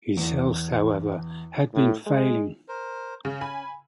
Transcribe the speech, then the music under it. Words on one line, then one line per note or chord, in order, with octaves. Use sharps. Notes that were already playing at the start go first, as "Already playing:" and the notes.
His health, however, had been failing.
E2
A2
G#3
A#4 C5
C#3 C#4
G#5 B5